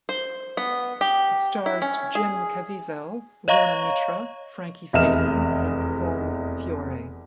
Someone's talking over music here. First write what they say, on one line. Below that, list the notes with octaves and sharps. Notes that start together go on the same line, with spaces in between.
It stars Jim Caviezel, Rhona Mitra, Frankie Faison, and Colm Feore.
C5
B3
G4
E4
C#4
G#4
C#5 D#5 F5 A#5 C#6
F1 E2 D#5 E5 F6 E7